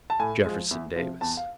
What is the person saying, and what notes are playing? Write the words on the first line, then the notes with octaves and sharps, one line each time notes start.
"Jefferson Davis".
A5
A2 G#5
F3 G#3
E2
C3 F3
E2 A5
F5